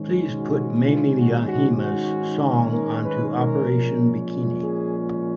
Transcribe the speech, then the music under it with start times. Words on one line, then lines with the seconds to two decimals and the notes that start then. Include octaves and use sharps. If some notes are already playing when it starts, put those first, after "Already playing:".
Please put maimi yajima's song onto Operación Bikini.
Already playing: G#2 D#3 G#3 C#4
0.37 F#4
0.85 F4
1.17 F#4
1.48 F#4
1.79 F#4
2.73 A#4
3.05 B4
3.37 A#4
3.68 A#2 F3 G#3 C#4
4.63 G#4